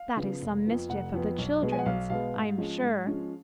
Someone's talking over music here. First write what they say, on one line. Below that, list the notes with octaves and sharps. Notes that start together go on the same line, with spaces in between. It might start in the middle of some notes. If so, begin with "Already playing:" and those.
That is some mischief of the children's, I am sure.
Already playing: F5
C#3 F3 B3
F1
F2 F3 B3
F1 F#5
F2 F3 B3
B1
B2 G#3 B3
G#5
F#5
B1 F5
B2 G#3 B3 F5
G#2
F3 G#3 C#4
G#2
F3 G#3 C#4